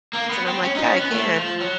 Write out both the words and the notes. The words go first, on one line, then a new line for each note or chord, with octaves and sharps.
And I'm like, “Yeah, I can.
A#3
B3
C4
C#4
D#4
C#4
B3
A3
F3
F#3